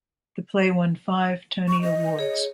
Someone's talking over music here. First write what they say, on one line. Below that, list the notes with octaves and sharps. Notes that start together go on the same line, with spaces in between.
The play won five Tony Awards.
C#6
D#5
G#4 C#5